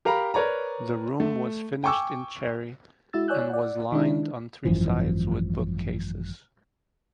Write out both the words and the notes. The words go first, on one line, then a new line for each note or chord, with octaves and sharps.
The room was finished in cherry and was lined on three sides with bookcases.
G4 A#4 F5 A#5 B5
A#4 B4 C#5 D5 A#5
A3
G5 G#5 C#6 D6 E6
G#3 E4 F#4 E6 A6
C#5 D5 G#5 E6 F#6 G6
D5 F#5
D#3 G#3 D4 E4
G#1 F#2 E3 F3